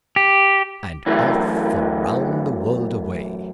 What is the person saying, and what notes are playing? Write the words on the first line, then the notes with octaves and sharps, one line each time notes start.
And off for round the world away!
G4
F#2 E3 A3